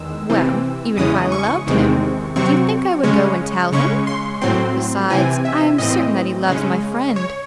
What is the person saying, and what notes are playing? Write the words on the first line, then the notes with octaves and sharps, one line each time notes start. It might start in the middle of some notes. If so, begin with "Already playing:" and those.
"Well, even if I loved him, do you think I would go and tell him? Besides, I am certain that he loves my friend."
Already playing: E2 D#3 G#3 E6
C3 E3 C4
E2 C#3 E3 G#3 C#4 D#6
C#6
E2 C3 D#3 G#3 C4
C3 F#3 C4 C#6
C#3 G#3 C#4
C#3 G#3 C#4 C#6
C6
A2 F#3 C4 C6
C3 E3 C4 G#5
E5
A2 E3 C4 D#5
C#3 G#3 C#4
C#5